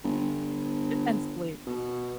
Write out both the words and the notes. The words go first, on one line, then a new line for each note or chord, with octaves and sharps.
"and sleep."
G1
B2